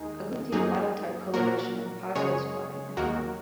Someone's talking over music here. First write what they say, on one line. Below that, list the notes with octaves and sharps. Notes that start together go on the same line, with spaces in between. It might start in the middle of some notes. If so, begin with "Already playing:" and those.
Agouti "wild type" coloration and piebald spotting are common.
Already playing: D#2 D#3 G#3 D#4 G#4
F#2 F#3 A#3 D#4 G#4
A#2 F#3 A#3 F#4 A#4
F#2 C#3 G#3 G#4 C#5
D#2 D#3 F#3 A#3 F#4 A#4